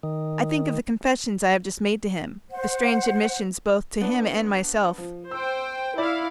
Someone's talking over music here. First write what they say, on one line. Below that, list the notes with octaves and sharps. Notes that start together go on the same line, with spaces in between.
I think of the confessions I have just made to him, the strange admissions both to him and myself.
D#3
C5 F#5
B3 D4
F3
C5 G5 E6
E4 D5 F5